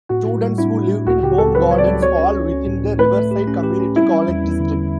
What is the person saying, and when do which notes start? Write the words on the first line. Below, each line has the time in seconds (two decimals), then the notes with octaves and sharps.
Students who live in Home Gardens fall within the Riverside Community College District.
0.09 A2 F#4
0.26 A2
0.42 G3
0.58 D4 E4
0.74 A2
0.90 A2
1.07 C#2 F#4
1.23 C#3 G4
1.38 C#2 A4
1.55 F#3 B4
1.71 F#3 C#5
1.78 D5
1.87 C#2
2.02 F#4 C#5
2.18 C#4
2.35 C#4
2.52 C#4
2.67 A2
2.83 A2
2.99 A3 B4
3.16 A3
3.31 G4
3.48 C#4
3.63 G4
3.80 C#4
3.96 G3 E4
4.12 G3
4.29 E2
4.44 E2
4.60 D3